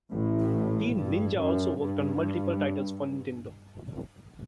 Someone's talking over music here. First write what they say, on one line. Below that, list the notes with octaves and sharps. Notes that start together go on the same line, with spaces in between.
Team Ninja also worked on multiple titles for Nintendo.
A1 A2
G2
F#2
G2